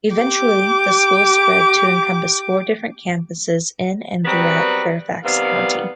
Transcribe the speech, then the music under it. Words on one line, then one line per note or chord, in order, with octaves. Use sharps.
Eventually the school spread to encompass four different campuses in and throughout Fairfax county.
G4 D6
F#3 G3 B3 C4 A#4 B4
C3 D#3 G3 B3 F5